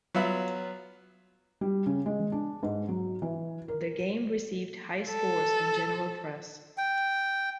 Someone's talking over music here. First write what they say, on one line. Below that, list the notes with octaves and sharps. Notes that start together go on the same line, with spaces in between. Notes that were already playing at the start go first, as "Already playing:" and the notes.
The game received high scores in general press.
F#3 B3 F4 E5 B5
G3
C#3
G#3
D4
G#2
F#3
E3
A#4
A4
G5